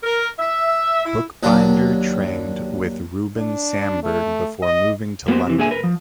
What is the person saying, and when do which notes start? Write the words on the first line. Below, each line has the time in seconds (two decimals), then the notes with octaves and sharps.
Bookbinder trained with Rouben Samberg before moving to London.
0.03 A#4
0.39 E5
1.05 E4
1.43 D#2 F#3 D4
3.36 D4
4.03 A3
4.62 D#5
5.28 A#3 B3 F#4 G4 C5
5.47 C3 E3
5.58 A#2 D3 G#4 E5 G#5
5.71 A#4 B4
5.84 F3